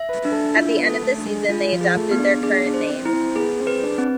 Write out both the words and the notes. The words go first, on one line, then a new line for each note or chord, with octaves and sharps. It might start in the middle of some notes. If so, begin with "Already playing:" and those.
At the end of the season they adopted their current name.
Already playing: E5
B4
D4
A4
E4 F4
B3
A4
A3
D4
G#3
G#3 F4
F3
G#4
A3
B3
D4
D4 G#4
D4
C5
C4
E4
C4
B3 G#4
C4
B4
D4
C4